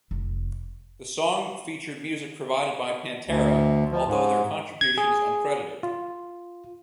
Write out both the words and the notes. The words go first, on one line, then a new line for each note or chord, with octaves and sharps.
The song featured music provided by Pantera, although their contribution is uncredited.
F1
D2
F3
G#2
G#6
G#4
F4